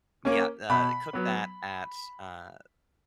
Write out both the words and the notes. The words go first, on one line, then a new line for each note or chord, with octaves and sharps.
but, yeah, uh, cook that at, uh,
A#3 C#4
B2 B5
F#3 B3